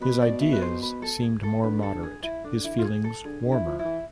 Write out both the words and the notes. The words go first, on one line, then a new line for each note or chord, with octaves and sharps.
His ideas seemed more moderate — his feelings warmer.
B2 B4
D5
E5
B4
C5
B4
A4
G#4
A4
D3 B4
A4
G#4
E4
D3 D4
E4
F4
G#4
A4
D3 G#4
D3
E4
F3
E4
E3